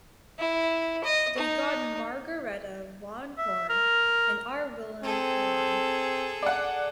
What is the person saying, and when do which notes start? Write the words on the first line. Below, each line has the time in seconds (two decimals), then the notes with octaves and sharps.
They got Margaretha van Horne and our Willem van Horne.
0.39 E4
1.04 D#5
1.38 D#4
3.38 E5
3.69 A#4
5.03 C4 G#4 A4
6.43 D5 F#5